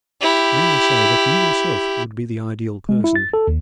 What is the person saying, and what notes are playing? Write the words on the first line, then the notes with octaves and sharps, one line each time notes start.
May I say that you yourself would be the ideal person.
E4 G4
G#3
E4
A6
A4
D#2